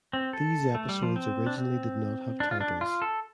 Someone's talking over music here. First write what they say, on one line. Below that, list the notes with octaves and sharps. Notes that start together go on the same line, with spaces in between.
These episodes originally did not have titles.
C4
A4
A3
G3
F3
C4
D4
C4
D4
F4
D4
F4
A4